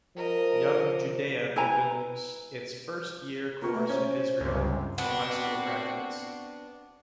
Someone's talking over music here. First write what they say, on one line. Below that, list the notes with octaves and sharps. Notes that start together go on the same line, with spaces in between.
Young Judaea opens its first Year Course in Israel for high school graduates.
F3 A#4 D#5
E4 B4 G#5 A#5
A#3 F4 C#6
A3
C#4 C5
C#2 G2 C3
B3 C4 D4 F#4